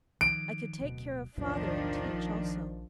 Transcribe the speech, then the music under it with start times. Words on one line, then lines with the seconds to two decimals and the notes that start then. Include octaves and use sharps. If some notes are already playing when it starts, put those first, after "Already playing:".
I could take care of father and teach also.
0.21 D#3 F3 D7
0.81 D1 B2
1.38 B1 E2 A2 D#3 F3 D4
2.13 A#1